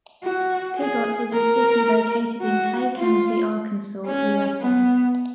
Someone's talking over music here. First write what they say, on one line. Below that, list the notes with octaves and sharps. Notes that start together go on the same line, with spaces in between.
Piggot is a city located in Clay County, Arkansas, USA.
F#4
G#4
A#4
F#4
F4
C#4
B3